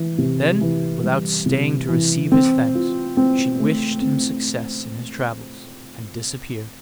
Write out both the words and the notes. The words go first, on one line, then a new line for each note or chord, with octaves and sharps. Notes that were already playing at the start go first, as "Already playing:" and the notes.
Then, without staying to receive his thanks, she wished him success in his travels and disappeared.
Already playing: E3
C3
E3
G3
C3
E3
C4
F4
C4
A3
C4